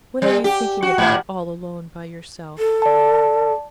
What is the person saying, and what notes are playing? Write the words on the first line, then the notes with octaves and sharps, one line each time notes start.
What are you thinking about all alone by yourself?
G3
G4
F#4
G#2
A4
D5 A5